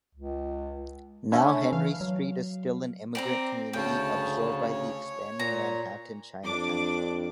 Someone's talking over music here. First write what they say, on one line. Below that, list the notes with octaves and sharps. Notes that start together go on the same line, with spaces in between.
Now Henry Street is still an immigrant community, absorbed by the expanding Manhattan Chinatown.
C#2
A3 C#4 D4 E4
E3 F5
F#3
C4 D5 G5 A#5
D2 C#3 C#4 G5 A5
C#5
A#2 A#5
F2 D4 D6